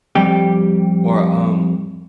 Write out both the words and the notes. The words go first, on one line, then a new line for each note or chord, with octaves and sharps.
Or, um
F2 G3 G4